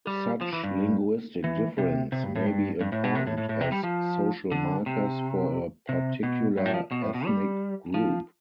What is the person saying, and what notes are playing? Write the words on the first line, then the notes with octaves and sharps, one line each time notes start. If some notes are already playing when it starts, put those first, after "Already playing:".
Such linguistic difference may be important as social markers for a particular ethnic group.
G3
F3
E3
G2
E3
C3
C3
G2
A2
G2
G2
A2
B2
C3
A2
A2
A2
C3
G3
F3
D3
C3
C3
B2
G2
A2
F3
B2
A2
B2
G3
F3